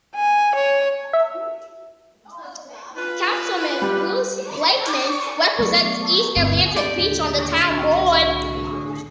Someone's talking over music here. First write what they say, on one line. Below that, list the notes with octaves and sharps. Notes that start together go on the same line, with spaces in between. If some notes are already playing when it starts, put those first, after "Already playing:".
Councilman Bruce Blakeman represents East Atlantic Beach on the Town Board.
G#5
C#5
E5
F4 B4
G3
D5 C#6
F#3 A3 B3
G1 D2 G2 A3 B3 C4
G4 D5
D#2 A2 D3 G#4
C2 F#4